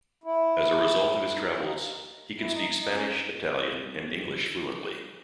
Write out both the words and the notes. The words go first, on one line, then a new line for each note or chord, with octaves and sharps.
As a result of his travels, he can speak Spanish, Italian and English fluently.
E4
D#4
C#4
D#4
E4
D#4
D#4
C#4